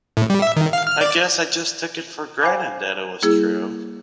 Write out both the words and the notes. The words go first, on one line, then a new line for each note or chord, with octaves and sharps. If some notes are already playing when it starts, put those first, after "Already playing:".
I guess I just took it for granted that it was true.
A2
G3
E5
D#3
F5
F6
D5
C5 F5 G5 G#5 B5 D6
G3 A#3 E4 G#4